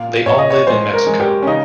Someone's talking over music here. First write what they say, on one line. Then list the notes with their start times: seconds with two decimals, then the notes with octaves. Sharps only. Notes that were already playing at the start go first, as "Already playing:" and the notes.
They all live in Mexico.
Already playing: A#2 F5
0.26 A#2 C#5
0.38 D#5
0.50 C#5
0.67 G#3 C5
0.94 A#4
1.07 G#3
1.20 G4
1.42 C#4
1.47 C#3 D#4